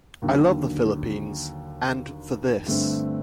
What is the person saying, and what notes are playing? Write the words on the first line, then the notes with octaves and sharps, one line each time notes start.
I love the Philippines - and for this...
D#2 D3 F#3
G2 D3 A3 C4